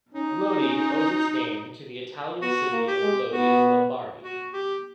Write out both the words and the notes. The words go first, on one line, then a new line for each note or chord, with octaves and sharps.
Lodi owes its name to the Italian city of Lodi, Lombardy.
C#4 D#4
C#4
B3 F#4
A#3
G4
G#3
B3 F#4
F#4
G4